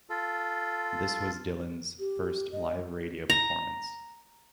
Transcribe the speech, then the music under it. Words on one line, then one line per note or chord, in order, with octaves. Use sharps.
This was Dylan's first live radio performance.
F4 A4
G4
D#5
A#5